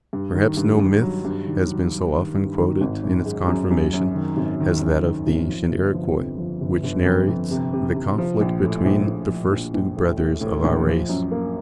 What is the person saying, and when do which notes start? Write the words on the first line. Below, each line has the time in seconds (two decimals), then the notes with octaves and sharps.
Perhaps no myth has been so often quoted in its confirmation as that of the ancient Iroquois, which narrates the conflict between the first two brothers of our race.
0.13 G2
0.34 D#3
0.57 G2
0.79 G2
1.01 F#3
1.25 G2
1.46 D#3
1.70 F#3
1.91 F#3
2.14 D#3
2.35 G2
2.58 D#3
2.81 G#1
3.03 F#2
3.25 G#3
3.48 F#2
3.70 F#2
3.93 F#2
4.14 D#3
4.37 G#1
4.60 D#3
4.81 F#2
5.05 D#3
5.27 G#1
5.49 F3
5.71 G1
5.94 F3
6.17 F2
6.38 F3
6.61 G1
6.84 G1
7.05 F2
7.28 F2
7.51 C3
7.73 C3
7.96 C3
8.18 F3
8.41 A#1
8.62 A2
8.85 A#1
9.07 A#1
9.29 F3
9.52 A#1
9.74 A#1
9.97 A2
10.19 A2
10.41 A2
10.64 A#1
10.86 F3
11.09 F#2
11.31 A#3